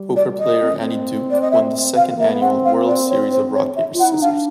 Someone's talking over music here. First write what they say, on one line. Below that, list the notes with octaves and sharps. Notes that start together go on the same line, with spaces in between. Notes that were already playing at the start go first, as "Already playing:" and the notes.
Poker player Annie Duke won the Second Annual World Series of Rock Paper Scissors.
Already playing: G3
D5
D#5
C4
C#4
C4
D5
D#5
E5
F5
A#3 E5
B3
C4 F#5
F5
D5
C#5
C5
C#5
E5
F4
F#5
E4
D#4
D4 F5